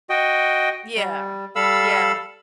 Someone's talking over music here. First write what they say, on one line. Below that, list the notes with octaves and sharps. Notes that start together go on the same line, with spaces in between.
Yeah, yeah.
F#4 D#5 G5
G3
G3 A4 F5 B5 E6